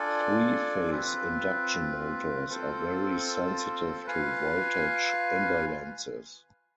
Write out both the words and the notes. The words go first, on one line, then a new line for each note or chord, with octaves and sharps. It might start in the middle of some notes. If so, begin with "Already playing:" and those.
Three-phase induction motors are very sensitive to voltage imbalances.
Already playing: D4 F4 A4 D5 G#5
C4 F4 B4
C4 F4 A4 C5
F4 B4 F5 G#5